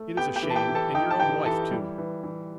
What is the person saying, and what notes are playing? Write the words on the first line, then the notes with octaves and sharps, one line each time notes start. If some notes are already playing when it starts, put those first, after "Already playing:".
It is a shame, and your own wife too.
Already playing: A3
B3 G4 G5
G4 G5
E3
A5
G4 G5
E3
A4 A5
D#4 G4 G5
A5
E3 G4 G5
E3 A4 A5
G3
E3
E3